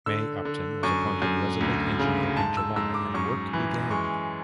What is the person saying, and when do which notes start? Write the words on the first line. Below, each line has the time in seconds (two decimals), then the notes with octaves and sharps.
May Upton was appointed resident engineer in July, and work began.
0.06 D3 E6
0.45 D3
0.83 F#2 C#6
1.22 F#2
1.61 D2
1.99 C#3
2.37 G#2 A5
2.57 E6
2.76 G#2 E6
2.94 D6
3.14 F#2 C#6
3.53 E3
3.91 G#3 C#6